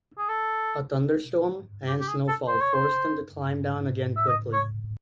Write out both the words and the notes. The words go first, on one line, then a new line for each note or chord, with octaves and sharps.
A thunderstorm and snowfall forced them to climb down again quickly.
G#4
A4
G4
G4
G#4
A4
C5
C#5
C5
E5
D#5
C#5